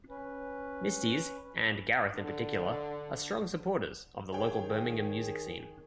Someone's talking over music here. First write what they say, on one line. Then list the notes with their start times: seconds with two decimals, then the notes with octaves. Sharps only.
Misty's, and Gareth in particular, are strong supporters of the local Birmingham music scene.
0.10 C#4 B4
2.15 D3
4.33 D#3 G#4 C#5 G5